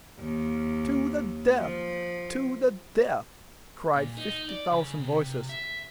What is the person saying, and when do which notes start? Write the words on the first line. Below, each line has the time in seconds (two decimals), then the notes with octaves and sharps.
"To the death! to the death!" cried fifty thousand voices.
0.20 D#2
1.57 F3
3.96 A#2
4.17 D#4
4.49 D5
4.72 C#3
5.00 C3
5.49 E5